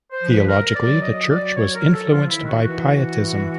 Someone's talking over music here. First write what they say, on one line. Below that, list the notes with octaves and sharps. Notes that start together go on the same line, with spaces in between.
Theologically, the church was influenced by pietism.
C5
F3
B4
A#4
D5
F#3
D#5
D5
C#5
A#4
A4
F3 F4
E3 E4
D#3
F#4
E3 F#4